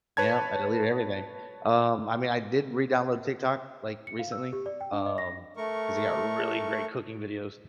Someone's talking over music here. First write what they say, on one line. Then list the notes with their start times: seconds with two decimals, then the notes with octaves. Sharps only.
you know? I deleted everything. Um, I mean, I did redownload TikTok, like, recently, um, 'cause they got really great cooking videos,
0.17 B4 C#5 A5 G#6
4.07 C#7
4.19 F5
4.32 E6
4.53 G4
4.66 D5
4.81 G5
4.93 D4
5.06 D#5
5.18 A#6
5.57 A3 A#4 C#6